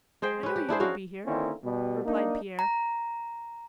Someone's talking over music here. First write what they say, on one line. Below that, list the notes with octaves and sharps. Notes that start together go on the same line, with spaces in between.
"I knew you would be here," replied Pierre.
G#3 G#4 C5 G5
C#4 B4
G4
D4 E4 G#4 C5
C#4 F#4 A#4 F5
D3 D#3 A#3 C4 C#4 E4
B2 G3
A#3 D4 D#4
A#5